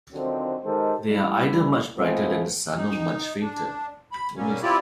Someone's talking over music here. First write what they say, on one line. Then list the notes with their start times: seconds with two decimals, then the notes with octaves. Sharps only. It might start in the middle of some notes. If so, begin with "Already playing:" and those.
They are either much brighter than the Sun, or much fainter.
0.12 D3 D#3 F3 F#3 C4 D#4
0.64 D#3 G#3 G4 A4 C5
1.07 G3 A3 E4
1.97 F3 G#3 A3 B3 C4 G#4
2.76 D#4
3.41 D4
4.12 B5
4.37 B2 F#3 G3 A#3 C#4
4.62 C4 E4 F4 G4 D5